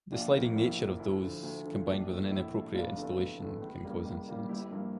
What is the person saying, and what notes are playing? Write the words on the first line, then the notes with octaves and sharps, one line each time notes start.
The sliding nature of those, combined with an inappropriate installation can cause incidents.
A#1 D4 F4
A2 F3 A#3
A#1 E4
A2 F3 A#3
D2 E4
D3 F3
D2
D3 F3
A#1 D4
A#2 A3
A#1 E4
A#2 A3
F1 D4 F4
E2 D3 A3
F1
E2 D3 A3
C#2
C#3 G3 A#3
C#2
C#3 G3 A#3
G1 E4 G4
G2 F3 A#3